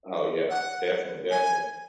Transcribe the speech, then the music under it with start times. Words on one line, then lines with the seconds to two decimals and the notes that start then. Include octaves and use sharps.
Oh, yeah, defin definitely.
0.50 F#5
1.31 G#5